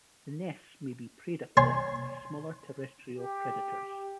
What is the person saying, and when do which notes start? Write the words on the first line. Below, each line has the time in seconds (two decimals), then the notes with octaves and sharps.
The nests may be preyed upon by smaller terrestrial predators.
1.57 C5 C#5 G#5 C6
3.18 G4